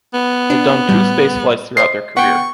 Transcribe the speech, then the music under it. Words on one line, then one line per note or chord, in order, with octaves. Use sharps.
They’ve done two space flights throughout their career.
B3
D4
A2 G3
C5 D#5 C7
B3 F#5 G5 C#6